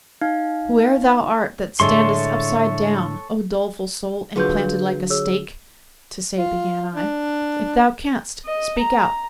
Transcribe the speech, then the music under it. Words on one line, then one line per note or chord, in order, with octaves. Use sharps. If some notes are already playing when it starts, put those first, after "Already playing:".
"Whoe'er thou art, that standest upside down, O doleful soul, implanted like a stake," To say began I, "if thou canst, speak out."
D#4 F5
A2 D3 G#3 A3 A4 C#5 C6
D3 F#3 F4 G#4 B4 G6
G#4 C#5 E6
F4
D4
D#5
A#5